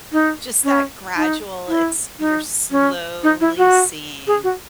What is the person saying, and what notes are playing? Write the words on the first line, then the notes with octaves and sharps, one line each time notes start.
Just that gradual it's you're slowly seeing
D#4
C#4
D#4
E4
D#4
C#4
D#4
E4
F#4
G#4
F#4